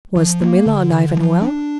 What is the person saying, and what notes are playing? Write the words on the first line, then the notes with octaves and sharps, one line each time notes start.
Was the miller alive and well?
F3
A#3
D3
D3
F3
D4